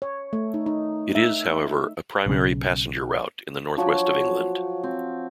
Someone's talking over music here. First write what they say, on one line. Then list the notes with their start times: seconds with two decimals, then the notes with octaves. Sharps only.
It is, however, a primary passenger route in the North West of England.
0.02 C#5
0.33 A3
0.54 D#4
0.66 D#4
1.15 E5
2.26 B1 C#3
3.77 F3 F#3 F#4 C#5
4.83 C4